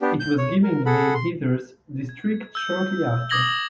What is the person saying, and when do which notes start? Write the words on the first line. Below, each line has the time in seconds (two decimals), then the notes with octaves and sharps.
It was given the name Hathras District shortly after.
0.01 B3 D4 G4
0.20 G6
0.38 C#5
0.63 A#4
0.86 G#4 A4 F#5 B5
1.14 C6
2.09 G#6
2.55 E6 G6
3.29 D6 D#6 G#6 A#6 F#7 G7